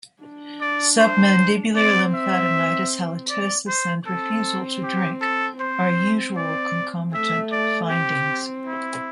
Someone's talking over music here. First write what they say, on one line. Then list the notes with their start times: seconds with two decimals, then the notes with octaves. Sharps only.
Sub-mandibular lymphadenitis, halitosis and refusal to drink are usual concomitant findings.
0.22 D4
0.61 D5
0.99 C5
1.76 C4 D5
2.14 E5
3.29 D5
3.68 C5
4.06 C4 A4
4.83 G4
5.21 A4
5.60 C4 C5
6.36 D5
7.13 A3 E5
7.52 D5
7.90 C4 G4
8.67 E4